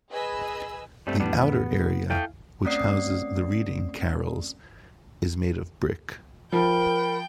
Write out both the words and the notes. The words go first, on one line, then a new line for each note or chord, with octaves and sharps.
The outer area, which houses the reading carrels, is made of brick.
G#4 B4 D#5 G#5 B5 E6
G2 G3 A3 C4
F2 A2 E3 G3 B3 D4
B3
C3
E4 A4 F5 G5 G#5
A3 C4 C#4 D5 D#6 C7
F3 A#4 G5 B5